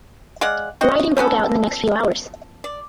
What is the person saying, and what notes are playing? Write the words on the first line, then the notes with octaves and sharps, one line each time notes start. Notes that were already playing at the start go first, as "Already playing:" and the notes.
Rioting broke out in the next few hours.
G#3 D5 F5 F#5
C4 F#4 D#5
F3 B3 C#4 A4
D5